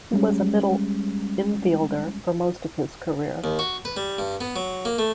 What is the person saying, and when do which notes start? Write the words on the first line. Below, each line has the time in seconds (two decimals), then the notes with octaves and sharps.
He was a middle infielder for most of his career.
0.13 G3 G#3 C#4
3.44 D#2
3.59 F#4
3.85 B4
3.97 G3
4.19 G2
4.41 B3
4.56 F#3
4.85 A#3
4.99 A3